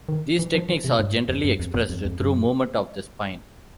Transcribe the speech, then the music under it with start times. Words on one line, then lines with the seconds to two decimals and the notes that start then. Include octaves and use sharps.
These techniques are generally expressed through movement of the spine.
0.09 D#3
0.39 E3
0.54 F3
0.69 E3
0.84 C3
0.99 G#2
1.29 F2
1.44 F#2
1.60 F2
1.74 E2
1.90 F2
2.05 F2
2.20 F#2